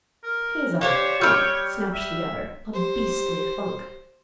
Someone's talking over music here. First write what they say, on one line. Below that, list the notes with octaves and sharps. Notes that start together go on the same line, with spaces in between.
"He's a funk!" snapped the other, "a beastly funk!"
A#4
D4 G4 C5 C#5 F5
G3 G5 E6 F6 G6
E5
G4 C5